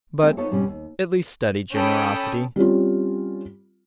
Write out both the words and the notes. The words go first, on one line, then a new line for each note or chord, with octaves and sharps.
But, at least, study generosity.
G#3 A#3 C4 E4 G#4 A4
B3 D#4 F4 A4 C5 C#5
G#2 B2 G3 C4 C#4
D#2
C#4 A4 G5 B5 D#6
G3 C4 C#4 F4